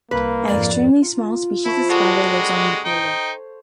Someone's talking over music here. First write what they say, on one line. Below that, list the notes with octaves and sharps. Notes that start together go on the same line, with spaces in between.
An extremely small species of spider lives on Upolu.
C2 A#3 B4
F2 G#2 D5
F4 A#5
F3 E4 C#6
G3 G#3 F#4 A4 C#6 E6
C#4
D#4 C5 C#5 G5